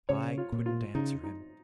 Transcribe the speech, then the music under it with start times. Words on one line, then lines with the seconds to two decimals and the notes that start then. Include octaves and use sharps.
I couldn't answer him.
0.09 C#3 C#5
0.38 F4
0.52 A#2
0.66 F4
0.95 C#3 D#4
1.23 D#4